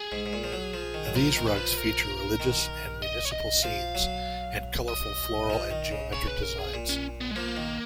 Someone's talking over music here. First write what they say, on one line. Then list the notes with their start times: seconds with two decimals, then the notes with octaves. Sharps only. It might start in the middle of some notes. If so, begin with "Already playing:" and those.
These rugs feature religious and municipal scenes and colorful floral and geometric designs.
Already playing: G#4
0.12 G#2
0.26 G#2
0.33 A#2
0.44 F3
0.53 F#3
0.74 F3
0.94 D#3
1.06 F#3
1.15 F3 A#4
1.36 D#3
1.46 B4
1.56 F3
1.77 A#4
2.40 D#3
3.02 D#5
3.25 C#5
3.32 D#5
3.63 F3 F5
3.95 F#3
4.88 D#5
5.50 F3
5.70 D#3
5.91 C#3
6.12 C#3 C#5
6.27 B4
6.42 A#4
6.58 G#4
6.73 A#2
6.89 C#4
7.21 B3
7.31 G#3
7.36 F3 A#3
7.57 D#3